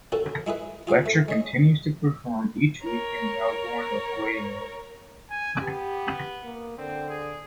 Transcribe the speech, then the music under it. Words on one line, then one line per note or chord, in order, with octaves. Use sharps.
Fletcher continues to perform each week in Melbourne with Waiting Room.
A#3 C#4 F#4 A4 A#4
G#3 E4 G#4 B4
F4 G#4 C5 F5
A3
G#3 C#5 D#5
A#4 C#5
G#5
B3 G4
A#3
D3 C4
G#4